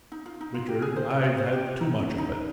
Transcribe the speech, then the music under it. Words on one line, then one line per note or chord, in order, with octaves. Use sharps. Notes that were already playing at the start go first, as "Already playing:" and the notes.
"Richard, I've had too much of it!"
D#4
F4
D#4
F4
G4
G#4
C5
C#5
C#5
C5
G4
F4
D#4
C#4
D#4